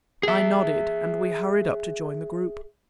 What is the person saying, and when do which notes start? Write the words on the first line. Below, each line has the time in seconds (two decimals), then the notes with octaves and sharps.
I nodded, and we hurried up to join the group.
0.23 G#4 E5